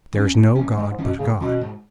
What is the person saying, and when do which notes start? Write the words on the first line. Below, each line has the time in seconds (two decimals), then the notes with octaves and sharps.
There is no god but God.
0.13 E3 C#4
0.34 G#2
0.55 E3 C#4
0.77 G#2 G#3
0.91 G#2
0.98 E3 C#4
1.05 B2
1.19 G#2 C#3
1.39 B2 E3 C#4
1.61 G#2